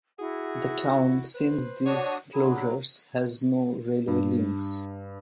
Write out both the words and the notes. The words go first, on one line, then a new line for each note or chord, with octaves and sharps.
The town, since these closures, has no railway links.
E4 F#4 G#4 F#5
B4 C5
D4 F#4 C#5 D#6
F#3 D4 G#4 B5
G2